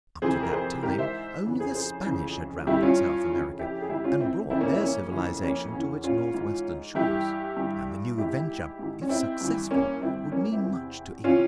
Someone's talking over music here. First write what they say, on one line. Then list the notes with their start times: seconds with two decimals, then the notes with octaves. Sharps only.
Up to that time only the Spanish had rounded South America and brought their civilization to its northwestern shores, and the new venture, if successful, would mean much to England.
0.22 F2 C3 E3 G#4 C5
0.43 A#4
0.53 G#4 C5
0.83 G#2 E3 G4 A#4
0.98 C5 E5
1.44 F2 C#3 E3
1.59 G#4 C5
1.75 G#4 C5
2.06 F2 C#3 E3
2.67 G2 E3 E4 G4
2.82 C#4 F4
3.28 F2 C#3 E3
3.59 E4 G4
3.82 G#4
3.89 G#2 E3 E4 G4
4.04 C#4 F4
4.20 C4 E4
4.50 F2 C#3 E3 C4 E4
4.61 A#3 C#4
4.72 E4
4.81 A#3 C#4
5.12 F2 C#3 E3
5.42 A#3 C#4
5.73 E2 C#3 E3
6.04 C#4 F4
6.34 G#2 E3
6.95 G2 E3 E4 G4
7.57 G2 E3
8.18 G#2 E3 E4 G4
8.33 E4 G4
8.79 G#2 E3
9.02 C#4
9.09 C4 E4
9.41 G2 E3
9.71 A#3 C#4
10.02 G2 E3 C4 E4
10.32 A#3 C#4
10.43 A#3
10.52 C4 E4
10.63 E2 C3 E3
11.24 C3 E3 C#4 F4